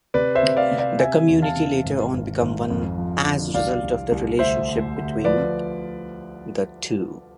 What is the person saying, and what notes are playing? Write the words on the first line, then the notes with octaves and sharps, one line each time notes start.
The community later on become one as result of the relationship between the two.
C3 B4 D5
C5 E5
C3
D5 F5
C3
D5 F5
C3 E5 G#5
E2
F5 A5
C3
G#1
G#1
G#1
F2
F3
D3
C2 D5 F5
C2
C2
D2 C5 E5
D2
D2
F3 B4 D5